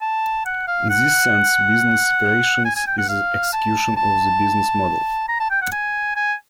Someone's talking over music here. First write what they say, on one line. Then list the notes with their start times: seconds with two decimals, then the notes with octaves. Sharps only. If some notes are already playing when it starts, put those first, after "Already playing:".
In this sense, business operations is the execution of the business model.
0.02 A5
0.46 F#5
0.68 F5
0.90 F#5
2.65 G#5
2.76 G#5
2.87 G5
2.98 F#5
3.09 F5
3.53 A5
3.97 A5
5.29 A#5
5.40 A5
5.51 G5
5.62 F#5
5.72 G#5
6.16 G#5